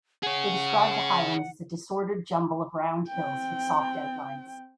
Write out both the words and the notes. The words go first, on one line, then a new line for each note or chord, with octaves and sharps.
They described the highlands as "a disordered jumble of round hills with soft outlines".
G#4 C#5 F#5
C4 G5